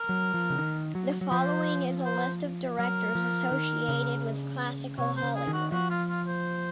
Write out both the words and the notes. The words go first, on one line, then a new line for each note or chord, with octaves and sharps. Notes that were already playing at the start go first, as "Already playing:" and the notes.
The following is a list of directors associated with classical Hollywood.
Already playing: A#4
F#3
F3
C#3
D#3
F#3
F#3
F3 C5
C5
F#3 A#4
F3
D#3
C#3
C3 C#5
C5
C#3
G#4
D#3
F#4
F3 F#4
F4
F4
C5